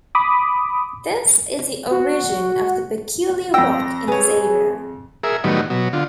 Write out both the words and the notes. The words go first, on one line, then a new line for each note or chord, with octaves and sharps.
This is the origin of the peculiar rock in this area.
B5 D6 D#6
F#4
F2 G5 E6 A#6
G#4 B4 C#5
G#4 A#4 E5
A2 D#3 F#3 G3 B3
B2 F#3
D3 F4